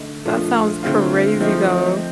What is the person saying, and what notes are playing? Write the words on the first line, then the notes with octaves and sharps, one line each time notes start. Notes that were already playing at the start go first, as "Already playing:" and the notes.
That sounds crazy, though.
Already playing: D3 A3 D#4
A#2 F3 A3 D4 F4
D3 A3 C4 F4
F3 A3 C4 D#4